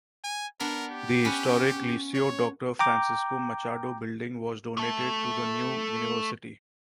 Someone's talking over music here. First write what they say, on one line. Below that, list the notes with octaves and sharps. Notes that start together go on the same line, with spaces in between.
The historic Liceu Doctor Francisco Machado building was donated to the new university.
G#5
B3 D4 A#4
G4
C#4 B4
C#5
G5 A#5 D6 G6
A3 A4